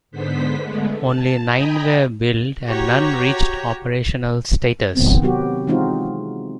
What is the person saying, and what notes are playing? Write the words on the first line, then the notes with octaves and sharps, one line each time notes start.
Only nine were built and none reached operational status.
G#2 D3 B3 C5 B6
D3 G#3 A3 B3
A5
D#5 G5 G#5 A#5 B5 D#6
F#4 G4 C#5 A#5
D#3 B3 C4
C3 F#3 B3 F#4 G4
E3 G#3 C4 D#4 F4 F#4